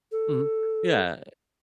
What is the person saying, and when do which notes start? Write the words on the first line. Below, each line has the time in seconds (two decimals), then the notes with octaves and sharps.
Mhm, yeah.
0.12 A4